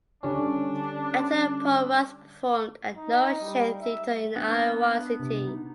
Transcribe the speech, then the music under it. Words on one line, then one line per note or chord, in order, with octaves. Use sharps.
Actor Paul Rust performed at No Shame Theatre in Iowa City.
D3 G3 C#4 D4
D#4
G3
E5
B3 D4
C3
D#4